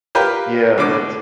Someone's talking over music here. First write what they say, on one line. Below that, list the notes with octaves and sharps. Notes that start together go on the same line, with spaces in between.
Yeah, that's
F4 G4 A#4 B4 G5
B2 D3 D6